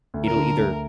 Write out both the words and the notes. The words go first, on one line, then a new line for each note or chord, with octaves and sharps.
it'll either
D2
A#4
D3
D2